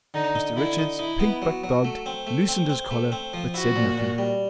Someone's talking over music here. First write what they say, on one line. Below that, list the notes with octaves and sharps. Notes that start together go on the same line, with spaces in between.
Mr Richards, pink but dogged, loosened his collar, but said nothing.
D3 D#4
D#4
D3 E4
D#4
D#4 E4
B3
F#3
F#3
A3
C4
A3
C4
C4
A3
C4
F3
E4 F#4
A#2
A#2
G3